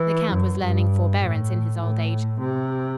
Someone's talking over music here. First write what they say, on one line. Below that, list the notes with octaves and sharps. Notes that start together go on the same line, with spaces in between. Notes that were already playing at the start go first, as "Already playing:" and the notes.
The count was learning forbearance in his old age.
Already playing: E3
F#2
G2
A2
A2
C3